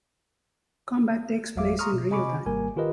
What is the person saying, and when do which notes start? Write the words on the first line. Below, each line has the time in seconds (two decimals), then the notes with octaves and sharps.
Combat takes place in real-time.
1.56 G#1 F2 F#3 E5 F5 D6
1.79 A#5 C6 C#6 D#6 F6
1.93 B2
2.11 C3 D#5 G#5 B5 C#6 D6
2.46 G#1 G3 A#3 A#4 G#5
2.76 D#3 F4 G4 A#4 B4 D#5